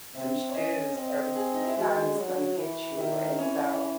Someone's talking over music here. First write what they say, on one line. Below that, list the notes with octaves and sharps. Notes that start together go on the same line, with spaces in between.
Them shoes every single time is gonna get you. And so,
C4 E5
C#5
C#4 D#5
C4
G#4
D#4
E4
G#3 F#4
F#3
E3
D#3 E4
E3 C#4